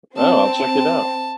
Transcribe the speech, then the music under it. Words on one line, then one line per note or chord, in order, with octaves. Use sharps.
Oh, I'll check it out.
C4 A5